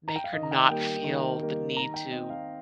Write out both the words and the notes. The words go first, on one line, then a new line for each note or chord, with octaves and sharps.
make her not feel the need to
A#5
G5
F5
D#3 D#5
A#5
G5
G3 A#3 G5
D#3
G3 A#3
D#3 A#5
G5
C4 D#5
F5